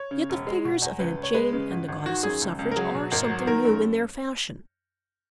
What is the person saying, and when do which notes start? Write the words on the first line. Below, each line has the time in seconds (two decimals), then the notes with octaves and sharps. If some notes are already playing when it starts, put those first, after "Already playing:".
Yet the figures of Aunt Jane and the Goddess of Suffrage are something new in their fashion.
Already playing: C#5
0.11 C#3
0.30 E1
0.47 G#3
0.65 B2
0.82 E2
0.99 C#2 B4
1.17 C#2
1.23 C#5
1.35 G#3 B4
1.53 C#3
1.71 G#1
1.89 G#1
2.06 D#3 F#4
2.23 F#2 G#4
2.42 C#2
2.59 C#2
2.71 A#4
2.76 F#3 G#4
2.95 B2
3.12 G#1 A#4
3.30 F#3
3.47 D#3 A#4
3.65 F#2